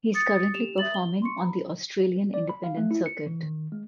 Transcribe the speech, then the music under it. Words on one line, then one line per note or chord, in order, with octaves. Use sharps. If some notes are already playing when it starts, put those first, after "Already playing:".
He is currently performing on the Australian independent circuit.
D#6 A6 C#7
G4 E7 F7
E5 D#6 A6 F#7
G7
C6 C#6 C#7
A#5 B5
D5
B5
F5
A3
E4
C#7
E3
D#3
G#3